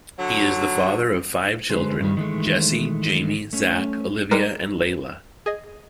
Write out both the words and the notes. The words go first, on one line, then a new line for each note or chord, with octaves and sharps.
He is the father of five children: Jesse, Jamie, Zak, Olivia and Layla.
D3 F#3
D3 G#3 B4 C5
G2 D#3 G3
D#3 E3 G#3 A3
A3 C#4
G3 G#3 A#4 B4
G#4 D#5